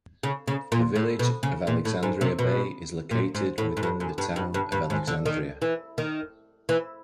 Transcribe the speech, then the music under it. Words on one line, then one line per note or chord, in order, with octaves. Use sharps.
The Village of Alexandria Bay is located within the Town of Alexandria.
C#3
C#3
A#2
A2
B2
C#3
A#2
A2
G#2
C3
B2
A#2
G#2
A2
G#2
G2
F#2
G2
G2
G2
G2
G#2
D3
D#3
E3
D#3
E3